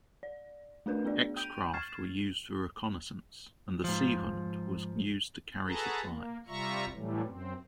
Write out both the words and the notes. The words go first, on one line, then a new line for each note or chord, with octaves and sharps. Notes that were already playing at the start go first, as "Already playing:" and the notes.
X-craft were used for reconnaissance, and the "Seehund" was used to carry supplies.
D5
A3 D4 A#4 B4
B3 D4 G#4 D5
G5 G6 D7 D#7 F7
C#6 F6 G#6 A6 C7 E7
G#2 F3
F#4 G#4 A4 B4 A5 A#5
A#3
C3 G3 F4 E5 A#5 C#6
A2 E3 F#3 G3 A3
F#2 C4